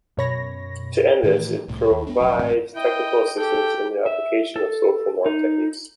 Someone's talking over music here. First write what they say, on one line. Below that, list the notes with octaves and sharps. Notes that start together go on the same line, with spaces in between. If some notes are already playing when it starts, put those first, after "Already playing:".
To this end, it provides technical assistance in the application of social norm techniques.
F#2 B2 C#5 B5 A#6
A2 D#3 E3 A3
C2 A2
D#2
B3 D4
F1 A#1 F#3 C#4
A1 A2 A3 C4
E4 D#5 G5
G4 A4 G5
E5
A4
D#4